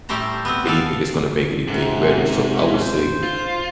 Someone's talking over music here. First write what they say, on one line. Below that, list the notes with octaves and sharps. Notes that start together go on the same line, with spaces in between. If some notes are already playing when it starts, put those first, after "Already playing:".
If anything, it's gonna make anything better. So I would say
A2 G3 A3 G4 C5 A#5
B3 C4
A4 D5 F5 F#5 A5
G#2 C3
C5
F4